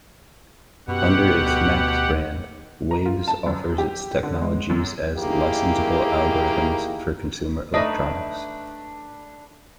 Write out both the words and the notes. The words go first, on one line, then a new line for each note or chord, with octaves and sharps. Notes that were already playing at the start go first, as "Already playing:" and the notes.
Under its Maxx brand, Waves offers its technologies as licensable algorithms for consumer electronics.
F#2 B2 G4 F#5
D2
A#5
F4
A5
F#2
G4
D3
G#3
F#2
D#3 A#3 E4 G4 G#4
A3 D4 D#4 B4 D5 D#5 B5